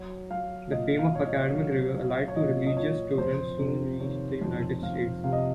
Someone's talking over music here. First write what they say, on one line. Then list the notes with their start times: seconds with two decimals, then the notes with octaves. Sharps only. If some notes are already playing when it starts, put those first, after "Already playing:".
The fame of academic rigor allied to religious tolerance soon reached the United States.
Already playing: F#3
0.31 F#3 F5
0.71 A#2 D#5
0.99 F5
1.13 A#2 C#5
1.26 D#5
1.53 F#3
1.95 F#3
2.28 C#5
2.36 A#2 D#5
2.67 D#5
2.77 A#2 C#5
3.18 F2 C5
3.59 C3
4.00 D#3 C#5
4.42 F2
4.83 F2 F5
5.24 C3 F5
5.33 D#5